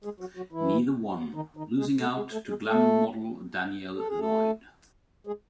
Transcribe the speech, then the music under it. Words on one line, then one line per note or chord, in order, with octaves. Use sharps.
Neither won, losing out to glamour model Danielle Lloyd.
G#3 G#4
F#3 F#4
F#3 F#4
E3 E4
D#3 D#4
D#3 D#4
G#3 G#4
A3 A4
G#3 G#4
A3 A4
G#3 G#4
A3 A4
A4
G#4
A3 A4
G#3 G#4